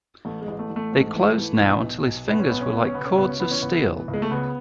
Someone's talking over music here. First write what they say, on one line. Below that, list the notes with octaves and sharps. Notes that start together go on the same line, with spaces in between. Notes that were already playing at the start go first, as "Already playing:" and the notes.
They closed now until his fingers were like cords of steel.
A1 A3
G#3
A1
A3
A1
A3
G#2
E3
E3
B1
B1
B1
B1 B3
C#4
B1 B3
C#4
B2 B3
C#4
C#3 B3
C#4
C#2 B3
C#4
E3 B3
C#4
C#2 B3
E3
C#2
G#3
A3
C#3 B3